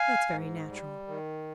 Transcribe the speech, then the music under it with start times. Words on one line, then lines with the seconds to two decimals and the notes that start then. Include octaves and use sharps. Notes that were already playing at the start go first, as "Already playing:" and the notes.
That's very natural.
Already playing: F5 G#5
0.29 G#2
0.68 G3
1.07 D#3